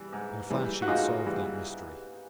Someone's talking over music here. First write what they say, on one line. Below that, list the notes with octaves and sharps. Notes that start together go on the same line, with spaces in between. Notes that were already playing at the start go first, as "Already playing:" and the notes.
In a flash he had solved that mystery.
Already playing: E3 G3
G#2
E3 G3
F#4
G#2 D#4 F4
E3 G3